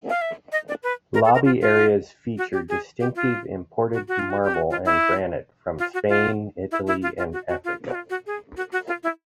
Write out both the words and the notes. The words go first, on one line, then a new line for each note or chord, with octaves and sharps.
Lobby areas feature distinctive imported marble and granite from Spain, Italy and Africa.
F5
E5
D#5
D5
B4
A#4
A4
A#4
F4
F4
F#4
G4
G#4
G4
F4
F#4
F#4
F4
F#4
G4
F#4
F4
E4
F4
F#4
F4
E4
E4
F4
F4
F#4
F#4
F4
F#4
F4
F#4
G#4
F#4
F#4
F4
E4